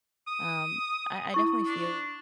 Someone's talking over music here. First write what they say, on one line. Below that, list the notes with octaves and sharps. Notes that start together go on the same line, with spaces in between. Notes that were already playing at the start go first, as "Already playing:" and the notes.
um, I I definitely feel
D#6
E4 C#6
D4